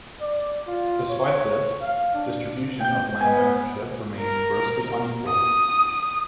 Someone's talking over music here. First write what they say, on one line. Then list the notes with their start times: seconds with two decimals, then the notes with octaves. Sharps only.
Despite this, distribution of land ownership remained grossly unequal.
0.21 D5
0.67 F4
1.09 C#5
1.82 F5
2.14 D4
2.80 G5 G6
3.21 B3 G#5
4.20 A#4
5.27 D#6